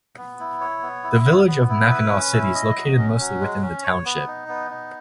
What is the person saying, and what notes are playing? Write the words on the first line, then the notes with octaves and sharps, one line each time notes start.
The village of Mackinaw City is located mostly within the township.
B3
E4
C#5
B3
E4
B3
B3
E4
B4
C#4
E4
D#5
F#3
C#4
F#3
G#3
C#4
C#5
B3
D#4
B3
D#4